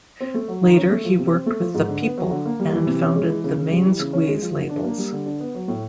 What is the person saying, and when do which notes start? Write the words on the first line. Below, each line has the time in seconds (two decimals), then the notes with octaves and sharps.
Later, he worked with the "People" and founded the "Main Squeeze" labels.
0.20 C4
0.34 A3
0.48 F#3
0.63 D#3
0.77 C#4
0.91 A3
1.05 F3
1.19 C3
1.32 C4
1.46 A3
1.61 F3
1.74 G#2
1.88 D3
2.02 B3
2.18 F#3
2.31 D3
2.45 A#3
2.60 G3
2.73 E3
2.87 C3
3.01 C#4
3.16 G#3
3.30 E3
3.44 C#3
3.58 C#3
3.71 G3
3.86 E3
3.99 C#3
4.13 C#4
4.28 G#3
4.42 F3
4.56 D3
4.69 D4
4.84 A#3
4.98 G3
5.12 D3
5.26 D4
5.40 B3
5.55 F#3
5.68 A2